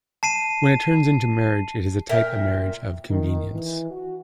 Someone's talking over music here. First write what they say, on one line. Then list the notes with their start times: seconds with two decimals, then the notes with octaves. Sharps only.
When it turns into marriage it is a type of marriage of convenience.
0.23 A5 C7 D#7
2.09 A#2 A#4 E5 G5
3.10 D#3
3.53 E3
3.91 F#4